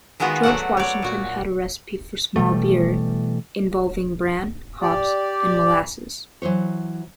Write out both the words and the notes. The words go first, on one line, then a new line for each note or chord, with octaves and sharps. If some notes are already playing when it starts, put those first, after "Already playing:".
George Washington had a recipe for small beer involving bran, hops, and molasses.
D#3 G#3 B3 F4 F#4 B4
F#3 A3 F#4 A4 D5 F#5
C#5 D5
A#2 F#4
B2 E3 G3 A3
G4 D5
E3 F#3 C5 C#5